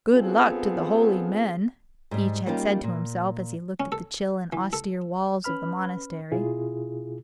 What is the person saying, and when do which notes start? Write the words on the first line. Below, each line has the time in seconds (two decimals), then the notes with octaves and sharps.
"Good luck to the holy men!" each had said to himself as he looked at the chill and austere walls of the Monastery.
0.15 G2 B3 C4 F4 G#4 A4
2.11 G#2 G3
2.46 G3 A#3 C#4 D#4 F4 G4
2.83 A#2
3.80 C#4
3.92 A4
4.53 E3
4.73 A4
5.44 C#4 B4 B5 F6
6.32 B2 E4 F4 G#4